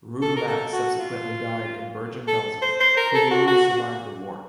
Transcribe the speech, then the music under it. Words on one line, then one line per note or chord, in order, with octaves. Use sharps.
Rudellat subsequently died in Bergen-Belsen; Culioli survived the war.
A4
A#4
A4
F#4
F4
A4
C5
C5
A#4
A4
F#4
F#4
F#4